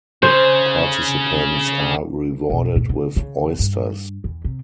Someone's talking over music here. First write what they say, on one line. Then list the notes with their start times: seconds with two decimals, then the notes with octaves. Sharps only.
Participants are rewarded with oysters.
0.23 C#3 G#4 C5
2.50 B1
2.76 A#2
2.89 D3
3.16 C#3
3.59 G2
4.24 E2
4.44 C3